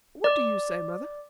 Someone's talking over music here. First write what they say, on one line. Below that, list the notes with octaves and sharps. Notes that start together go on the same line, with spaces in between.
"What do you say, mother?"
D5